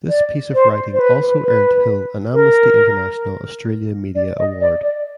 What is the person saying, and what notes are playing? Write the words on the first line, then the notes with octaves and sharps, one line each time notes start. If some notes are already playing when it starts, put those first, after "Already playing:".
This piece of writing also earnt Hill an Amnesty International Australia Media Award.
D5
C5
C5
B4
B4
A#4
D5
D#5
D5
D5